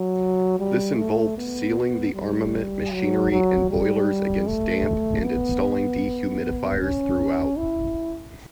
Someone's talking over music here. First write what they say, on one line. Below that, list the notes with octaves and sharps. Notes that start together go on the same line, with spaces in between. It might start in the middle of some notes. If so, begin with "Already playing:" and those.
This involved sealing the armament, machinery and boilers against damp and installing dehumidifiers throughout.
Already playing: F#3
G3
A3
B3
G3
F#3
F#3
G3
A3
B3
C#4
E4